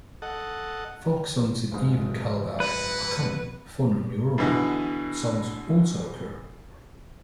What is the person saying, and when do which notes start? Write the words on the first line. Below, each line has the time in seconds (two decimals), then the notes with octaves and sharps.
Folk songs in Ewe and Kabye, are common, Fon and Yoruba songs also occur.
0.22 A4 D#5 F#5
1.71 F#1 G#2
2.60 C4 E4 B4 F#5
4.38 B2 D3 E3 D#4